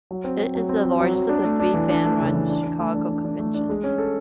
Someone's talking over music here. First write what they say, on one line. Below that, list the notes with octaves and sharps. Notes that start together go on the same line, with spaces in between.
It is the largest of the three fan-run Chicago conventions.
F#3
C4
C4
F#3
C4
C4
F#3
F#3
D4
A3
D4
E3
D4
A3
C#3
E3
D4
D4
A3
D4
D4
D4
A3
D4
G#3
C#4
A4